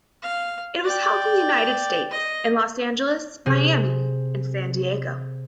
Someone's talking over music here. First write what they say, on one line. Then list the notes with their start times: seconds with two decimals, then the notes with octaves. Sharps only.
It was held in the United States, in Los Angeles, Miami, and San Diego.
0.22 F5
0.84 D5 G5
2.10 D#5
3.46 C3 C4 G#4